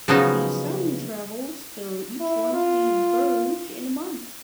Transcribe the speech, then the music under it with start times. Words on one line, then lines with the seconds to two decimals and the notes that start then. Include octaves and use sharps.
The sun travels through each one of these Burj in one month.
0.08 C#3 F3 F#3 B3 C#4 D#4
2.21 E4
2.53 F4